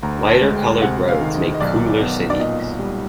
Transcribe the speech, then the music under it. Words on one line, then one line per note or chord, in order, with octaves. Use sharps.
Lighter coloured roads make cooler cities.
D2 A#5
A5
G#3
G5
C3 F#5
F5
D#3
D#5
D#5
B1 D5
B3
D5
A#2 D#5
G3